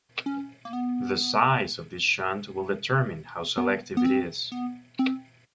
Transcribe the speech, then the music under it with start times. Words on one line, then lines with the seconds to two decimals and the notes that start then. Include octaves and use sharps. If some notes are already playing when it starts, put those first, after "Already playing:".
The size of this shunt will determine how selective it is.
0.26 C#4
0.65 A#3
0.73 B3
3.57 B3
3.97 B3
4.05 C4
4.52 B3
4.99 C4